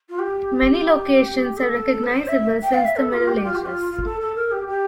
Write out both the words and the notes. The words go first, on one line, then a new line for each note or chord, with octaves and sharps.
Many locations are recognizable since the Middle Ages.
F4
G4
A4
C5
E5
G5
F5
E5
A4
F4
G4
F4
G4
F4
F4
A4
A4
A#4
G4
G4